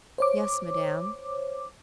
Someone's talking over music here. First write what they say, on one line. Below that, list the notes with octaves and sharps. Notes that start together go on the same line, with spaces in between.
"Yes, Madame."
C5 C#5 D6